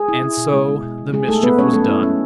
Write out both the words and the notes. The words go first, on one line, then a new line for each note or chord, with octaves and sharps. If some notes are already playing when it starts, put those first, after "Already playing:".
And so the mischief was done.
Already playing: G#4
E4
E4
B2
G#3
G#3
B2
B2
G#3 G#4
A3 D#4 A4
B2 B3 B4
G#3 C#4 C#5
F#3 A3 A4
E4
C#4